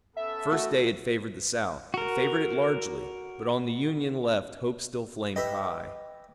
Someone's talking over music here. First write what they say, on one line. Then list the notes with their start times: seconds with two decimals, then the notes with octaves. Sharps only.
The first day had favored the South, had favored it largely, but on the Union left hope still flamed high.
0.17 B3 C#4 A4 E5
0.51 A3 F#4
1.94 F#4 A#4
5.36 G4 B4 D#5 E5